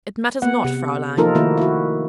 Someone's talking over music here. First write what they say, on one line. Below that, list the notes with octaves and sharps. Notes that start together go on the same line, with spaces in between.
'It matters not, Fraeulein.
B3 F#5
C3
F3 A#3 D#4 F4 A4 A#4
D#3 A3 A#3 E4 F#4
E4 F#4